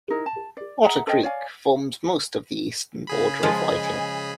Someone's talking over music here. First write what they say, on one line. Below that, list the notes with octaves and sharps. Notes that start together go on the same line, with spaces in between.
Otter Creek forms most of the eastern border of Whiting.
D#4 E4 A#4
A5
D5
G#4 E5 F#5 A#5
A4 C5 D#5 G5
C#5 D5 F5 G#5
C#3 G#4 B5
F3 G#3 F4 D#5 G#5